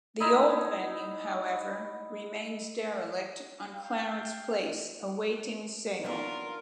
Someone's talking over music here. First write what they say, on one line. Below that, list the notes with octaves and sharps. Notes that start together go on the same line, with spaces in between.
The old venue however remains derelict on Clarence Place awaiting sale.
D#4 E4
F5 G5
F#3 B3 D4 F4 A#4